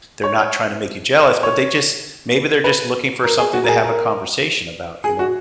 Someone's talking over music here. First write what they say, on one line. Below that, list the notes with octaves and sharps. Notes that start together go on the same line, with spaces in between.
they're not trying to make you jealous, but they just maybe they're just looking for something to have a conversation about, you know?
C#5
C#5
B4
A#4
G#4
F#4
A#4
G#4
A#4
G#4
F#4